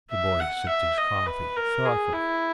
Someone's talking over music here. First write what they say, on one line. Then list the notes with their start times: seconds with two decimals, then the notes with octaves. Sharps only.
The boy sipped his coffee thoughtfully.
0.11 E5
0.40 F#5
0.69 E5
0.97 D#5
1.26 B4
1.56 A#4
1.85 G#4
2.13 E4